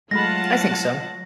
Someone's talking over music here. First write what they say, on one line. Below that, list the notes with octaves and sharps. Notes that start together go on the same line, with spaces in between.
I think so.
F#3 G#3 A3 F4 F#5 A5 B5 A#6